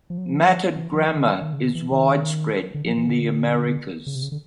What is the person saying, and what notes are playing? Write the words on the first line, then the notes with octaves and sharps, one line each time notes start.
Matted grama is widespread in the Americas.
F3
F#3
F3
E3
F3
E3
D3
D#3
D#3
C#3
D3
E3
D#3
D3
F3
E3
D3
C#3
C3
C#3
D3